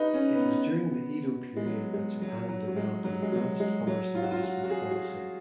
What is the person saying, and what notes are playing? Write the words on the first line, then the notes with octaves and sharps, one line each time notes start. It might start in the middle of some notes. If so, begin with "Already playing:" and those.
It was during the Edo period that Japan developed an advanced forest management policy.
Already playing: D#4 B4
C#4
B3
G#3
F#3
G#3
F#3
F#3
F#3
G#3
F#3
G#3
F#3
G#3
F#3
F4
F#4
F4
F#4
F#4
G#4
F#4